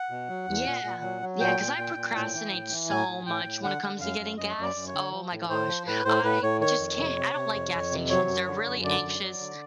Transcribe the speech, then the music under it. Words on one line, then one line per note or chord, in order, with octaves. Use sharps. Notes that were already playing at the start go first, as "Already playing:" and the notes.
Yeah. Yeah, cause I procrastinate so much when it comes to getting gas. Oh my gosh, I just can't. I don't like gas stations, they're really anxious
Already playing: F#5
B2
F#3
E2
A#2
A#2
F#3
F#3
A#2 G5
A#2
A#2
A#2
A2
E3
A2
E3
A2 G#5
A2
A2 G5
A2
D3 F#5
D3
F#2 F5
F#2
F#2 D#5
F#2
D5
F#2
C#5
D3
F3
A2
A2 C5
F3
A2 B4
A2 C5
A2 B4
A2 C#5
D#3 C#5
F2
C3
C3
C3
F2
F2
C3
F#3 C#5
F#2
D3
F#2
D3 D5
F#2
F#3
D3